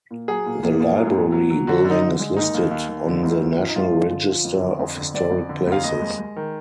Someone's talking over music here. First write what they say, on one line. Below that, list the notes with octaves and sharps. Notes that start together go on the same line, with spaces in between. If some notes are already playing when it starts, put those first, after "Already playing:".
The library building is listed on the National Register of Historic Places.
A#2
F#3 G#4
A#2
A#2
A#2
F#3
A#2
F#3
F#3
D3 F#4
D3
D#4
D3
G#3
D#2 D#4
D#2
D#2
D#2
D3
D2
F3
F3
D#4
G#3 F4
F3
D3
F3
F2
D3
F2
D3
F2 D5
F2
D3
F2 F5
D#2 D#5
G#3
G#3
D#3